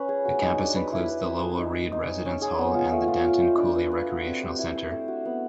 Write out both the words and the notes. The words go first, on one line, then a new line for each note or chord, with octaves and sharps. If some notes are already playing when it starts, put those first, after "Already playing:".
The campus includes the Lowell Reed Residence Hall and the Denton Cooley Recreational Center.
Already playing: C#4 B4
G#4
F#4
D#4
D4
B4
E4
B4
C4
G#4
D#4
C5
D#4
C#5
C#4
G#4
B3
F4
A3
F4
F5
C5
D4
B4
B4
F#4
C4
G4
E4
C5
A3
F#4
B3